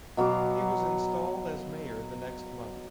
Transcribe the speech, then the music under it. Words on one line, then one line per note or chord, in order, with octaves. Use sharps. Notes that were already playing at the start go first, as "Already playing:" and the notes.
He was installed as mayor the next month.
B2 F#3 F5 D6